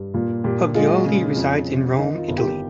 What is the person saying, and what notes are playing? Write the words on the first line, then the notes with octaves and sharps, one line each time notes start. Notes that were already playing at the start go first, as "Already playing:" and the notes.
Poggioli resides in Rome, Italy.
Already playing: G2
A#2 F4
A#2 G4
G#3 F4
C#3
F2
C4
D#3 D#4
F4
G1
G4